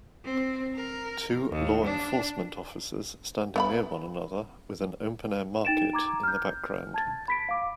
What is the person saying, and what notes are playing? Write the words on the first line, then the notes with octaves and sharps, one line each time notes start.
Two law enforcement officers standing near one another with an open air market in the background.
C4
A#4
D#2
D4
B3 F5 B5
D#4 G5 A6 D7 E7
A#5 D6 G#6
F6 G6
A5 G#6 A6
B5 B6 D7
F5 D6